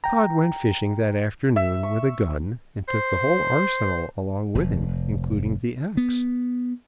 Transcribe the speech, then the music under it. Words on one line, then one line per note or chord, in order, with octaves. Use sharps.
Pod went fishing that afternoon with a gun, and took the whole arsenal along with him, including the axe.
G5 A#5
E5
C#6
C5
F1
B3